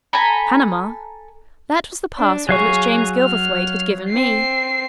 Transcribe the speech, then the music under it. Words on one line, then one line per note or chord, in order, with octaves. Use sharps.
Panama!--that was the password which James Gilverthwaite had given me.
A4 G#5 A#5 B5
D4
F#3 G#4 F5 A#5 C#6
F6
C4 C7